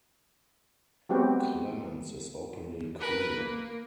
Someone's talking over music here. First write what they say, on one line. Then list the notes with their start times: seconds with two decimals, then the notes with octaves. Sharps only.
Clemens is openly queer.
1.09 F#3 G#3 B3 C4 F#4 G4
2.99 A#4 B4
3.37 A#3